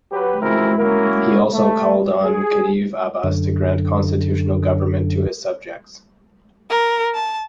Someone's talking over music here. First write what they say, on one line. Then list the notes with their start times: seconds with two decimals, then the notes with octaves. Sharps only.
He also called on Khedive Abbas to grant constitutional government to his subjects.
0.12 F#3 G4 B4
0.41 C#2 E3 C4 E4 F#4 A#4
0.78 A#3 C#4 E4 F#4 A#4
1.53 A3
2.26 G#4
3.24 F#2 D3
6.70 A#4
7.15 A5